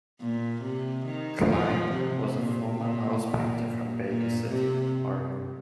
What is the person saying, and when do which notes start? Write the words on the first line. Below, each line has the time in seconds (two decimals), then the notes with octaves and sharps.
Cline was a former house painter from Baker City, Oregon.
0.20 A#2
0.63 C3
1.05 D#3
1.49 F3
1.92 C3
2.35 A#2
2.78 A#2
3.21 A#2
4.07 A#2
4.48 C3